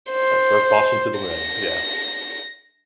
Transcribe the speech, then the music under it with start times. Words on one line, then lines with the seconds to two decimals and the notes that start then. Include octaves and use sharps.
Like, throw caution to the wind, yeah.
0.12 C5
1.20 A#6